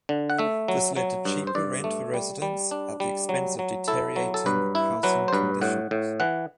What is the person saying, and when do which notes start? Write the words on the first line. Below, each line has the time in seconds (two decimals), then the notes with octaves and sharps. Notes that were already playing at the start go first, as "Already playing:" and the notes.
This led to cheaper rent for residents at the expense of deteriorating housing conditions.
0.09 D3
0.30 F#5
0.39 A3 E5
0.68 F#3
0.96 F#3
1.25 G2
1.47 C5
1.55 G2 D5
1.84 A3
2.14 G3
2.42 G3
2.71 D4
3.00 G3
3.29 F#3
3.59 F#3
3.88 E4 A4
4.16 F#3
4.34 A4
4.46 G2 B4
4.75 E4
5.03 F#3 B4
5.28 C5
5.33 G2 B4
5.61 A2 F#5
5.91 A2
6.20 E3 F#5